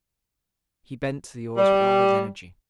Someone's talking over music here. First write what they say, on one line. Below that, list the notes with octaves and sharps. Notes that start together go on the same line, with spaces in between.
He bent to the oars with all his energy.
G3